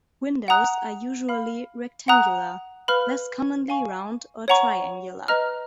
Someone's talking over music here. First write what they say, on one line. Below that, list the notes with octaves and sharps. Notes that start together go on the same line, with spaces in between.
Windows are usually rectangular, less commonly round or triangular.
F#5 A#5 D#6 F#6
F5 B5 F6
F#5 A#5 D#6 F#6
B4 F5 B5 F6
F5 G#5 C#6
C#5 F#5 A#5 C#6
B4 D#5 A#5 F6